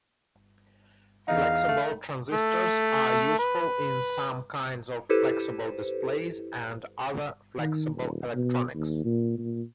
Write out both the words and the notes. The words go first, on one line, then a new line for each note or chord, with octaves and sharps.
Flexible transistors are useful in some kinds of flexible displays and other flexible electronics.
E2 D#4 F5
A3
A3
B4
E4 G4 A4 B4 C5
D#3
D#1
B2
D#2
A#2
A#2